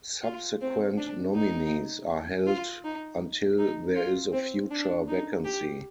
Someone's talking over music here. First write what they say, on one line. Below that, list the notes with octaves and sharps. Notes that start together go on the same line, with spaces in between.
Subsequent nominees are held until there is a future vacancy.
F4
C4
D4
D#4
F4
D#4
D#4
F4
C4
D4
D#4
G4